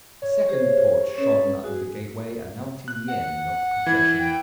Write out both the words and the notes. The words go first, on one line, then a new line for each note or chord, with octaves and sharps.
A second torch shone under the gateway, announcing the end of the procession.
C#5
G4 G#4 C5
C#4 A4 B4
F#4 G#4
F#6
F#5
E3 G#6
G5